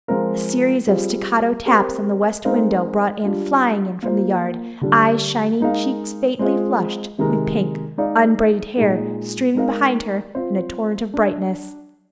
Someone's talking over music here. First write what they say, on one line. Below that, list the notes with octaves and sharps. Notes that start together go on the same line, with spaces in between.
A series of staccato taps on the west window brought Anne flying in from the yard, eyes shining, cheeks faintly flushed with pink, unbraided hair streaming behind her in a torrent of brightness.
F3 G#3 C4 F4 A#4
G3 C4 F4 G#4
C4 G4 A#4
G#3 C4 D#4 A#4 F5
G3 D4 F4
A#3 F4 C5
D3 G3 D4
G#3 D#4 A#4 F5
G#3 C4 F4 G#4 D#5
C3 D#3 G#3 D#4 A#4
G#3 D#4 G#4 D5 F5
A#2 G#3 D#4 G#4
G#3 D#4 A#4 F5
C4 F4 C5
D4